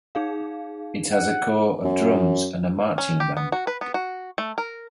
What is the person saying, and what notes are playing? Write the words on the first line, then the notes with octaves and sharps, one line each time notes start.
It has a Corps of Drums and a "Marching" Band.
D#4 G#4 F5
F#5
F#2
C#4
G4
B3
F#4
B4
B3
F#4
A3
A#4